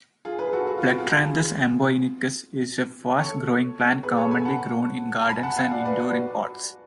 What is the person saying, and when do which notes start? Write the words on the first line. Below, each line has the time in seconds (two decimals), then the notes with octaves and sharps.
"Plectranthus amboinicus" is a fast-growing plant commonly grown in gardens and indoor in pots.
0.25 F4 G#4
0.39 G#4 B4
0.53 F#4 A4
0.67 F#4
0.78 F4
0.88 F#4
0.98 F4 G#4
1.09 F4 G#4
3.19 A4 C#5
4.03 G#4 B4
4.17 A4 C#5
4.31 G#5 B5
4.45 F#5 A5
5.21 A5
5.29 G#5 B5
5.43 F#5 A5
5.57 F5 G#5
5.71 D5 F#5
5.85 B4 D5
5.99 B4 D5
6.13 F#4